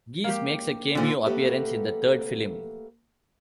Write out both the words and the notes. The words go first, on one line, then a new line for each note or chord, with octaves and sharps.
Geese makes a cameo appearance in the third film.
A#3 G4
D2 A#2 D3
A3 A#3 G4 A4 B4 F#5